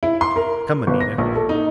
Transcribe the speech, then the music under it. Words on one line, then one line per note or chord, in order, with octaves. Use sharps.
"Come, Anita."
E4
C6
A#4
G1
A#6
A#1
A4
D#4